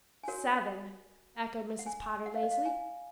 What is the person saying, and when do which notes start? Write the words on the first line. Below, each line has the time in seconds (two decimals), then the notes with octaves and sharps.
"Seven!" echoed Mrs. Potter, lazily.
0.23 G#5
0.28 F#4 A#4 C#5 F#5
1.79 F#5
1.86 G#5
2.26 F#5
2.35 F5
2.43 D#5
2.51 F5
2.65 G#5